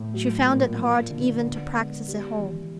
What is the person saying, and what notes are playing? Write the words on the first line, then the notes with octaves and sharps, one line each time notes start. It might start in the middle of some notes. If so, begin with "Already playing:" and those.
She found it hard even to practice at home.
Already playing: A2
F#3
A#2
F3
D3
B3
G#3
G3
E3